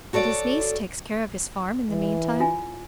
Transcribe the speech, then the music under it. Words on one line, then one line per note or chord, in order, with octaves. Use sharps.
"And his niece takes care of his farm in the meantime?"
F#4 A4 C#5 D5
E3
E4 F4 G#5